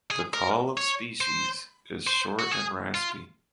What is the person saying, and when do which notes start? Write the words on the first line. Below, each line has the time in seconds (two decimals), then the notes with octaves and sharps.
The call of species is short and raspy.
0.11 G#4
0.33 A#4
0.77 C#5
1.21 C5
2.07 C5
2.39 F#4
2.51 G#4
2.95 F4